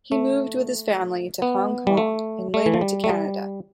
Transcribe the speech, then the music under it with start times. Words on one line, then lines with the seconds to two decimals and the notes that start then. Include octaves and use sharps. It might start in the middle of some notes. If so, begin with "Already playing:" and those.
He moved with his family to Hong Kong and later to Canada.
0.12 A3
1.42 B3
1.87 G3
1.97 A3
2.54 A3
2.66 E3
2.74 F3
2.81 G3
3.04 A3
3.09 G3